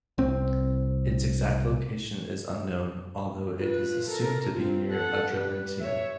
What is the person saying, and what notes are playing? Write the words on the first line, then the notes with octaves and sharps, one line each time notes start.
Its exact location is unknown although it is assumed to be near Adramyttium.
C2 C4
F4 B4
A4 A#4
C4 F4
A4 F#5
G3 B4
C#5 E5